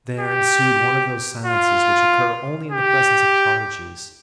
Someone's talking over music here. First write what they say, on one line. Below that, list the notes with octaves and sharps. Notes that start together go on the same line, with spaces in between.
There ensued one of those silences which occur only in the presence of prodigies.
G4
F4
G4